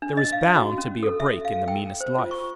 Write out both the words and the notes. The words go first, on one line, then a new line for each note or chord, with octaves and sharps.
There is bound to be a break in the meanest life.
D4
D#5
F5
F#4
C#4
A4
E5
F5
G5
C5
F4
C#6